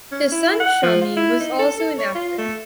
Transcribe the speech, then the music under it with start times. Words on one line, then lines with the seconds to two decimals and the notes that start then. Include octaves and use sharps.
His son Shammi was also an actor.
0.12 C#4
0.32 E4
0.60 F#5
0.83 F3
1.01 F4
1.17 E4
1.40 D#4
1.59 A4
1.80 A4
1.99 C#5
2.15 F4
2.38 A3